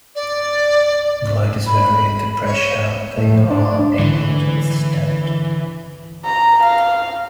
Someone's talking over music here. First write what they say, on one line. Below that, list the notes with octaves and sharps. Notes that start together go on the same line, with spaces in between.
Gliders vary in the pressure they are able to withstand.
D5
B5
C#5
A2
D4
D3 E3
A#5
F5